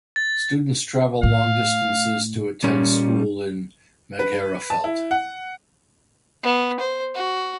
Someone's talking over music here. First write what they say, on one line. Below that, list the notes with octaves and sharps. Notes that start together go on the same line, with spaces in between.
Students travel long distances to attend school in Magherafelt.
A6
A2 F5
A#2 G3 C#4
B4
A5
E4
F#5
B3
C5
F#4